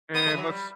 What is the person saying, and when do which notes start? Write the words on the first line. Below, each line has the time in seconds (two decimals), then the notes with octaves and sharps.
And let's
0.15 B3 D#6
0.27 A3
0.34 E3
0.38 F#3
0.50 G3